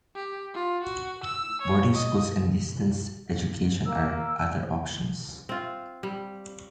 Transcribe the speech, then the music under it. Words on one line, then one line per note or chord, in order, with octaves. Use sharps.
Boarding schools and distance education are other options.
G4
F4
F#4
E6
C#5
D#5
A#3 E6
C4 F4
G3